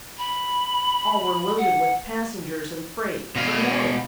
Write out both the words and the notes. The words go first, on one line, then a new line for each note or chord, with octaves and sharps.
All were loaded with passengers and freight for Nome.
B5
F#5
B2 F5